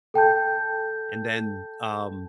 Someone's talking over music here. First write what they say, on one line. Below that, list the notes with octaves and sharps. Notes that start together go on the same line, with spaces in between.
and then, um,
A4 G5 A5 G6